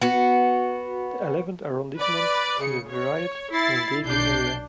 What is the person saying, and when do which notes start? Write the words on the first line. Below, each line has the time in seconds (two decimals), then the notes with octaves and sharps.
The eleventh arrondissement is a varied and engaging area.
0.02 B3 F#4
1.98 B4 D5
2.60 C#3 C#7
2.89 C#5
3.53 E4 A6 C7
4.05 B1 D4 G6 C7